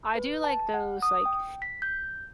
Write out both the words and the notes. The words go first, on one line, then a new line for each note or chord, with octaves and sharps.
I do like those, like,
B4
A5
F#5
D#6
G5
B6
G6